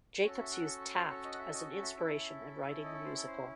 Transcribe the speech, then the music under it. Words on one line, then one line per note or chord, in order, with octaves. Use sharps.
Jacobs used Taft as an inspiration in writing the musical.
C#4 F#4 A4 C#5
E5
F#5
C#6
C#6
C6
C#5
D#5
F#5
E5
D#5
E5
C#4 E4 A4
D#5
C#5
C5
A4
C5